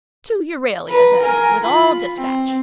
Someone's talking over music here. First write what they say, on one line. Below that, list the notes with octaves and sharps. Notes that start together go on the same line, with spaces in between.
To Euralia then with all dispatch.
B4 A#5
A#4 G#5
F4 B5
C4